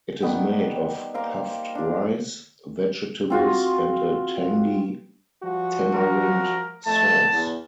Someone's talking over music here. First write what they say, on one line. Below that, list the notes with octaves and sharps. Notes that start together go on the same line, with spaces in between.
It is made of puffed rice, vegetables and a tangy tamarind sauce.
D#3 G3 B3 F#5
A#3 A#4 C5 F5
D4 F4
C4 F4 F#4
F3 G3 F#4
A#4
F2 A3 A5
E2